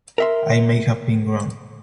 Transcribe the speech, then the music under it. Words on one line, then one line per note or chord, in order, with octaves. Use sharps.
I may have been wrong.
A#4 E5 C6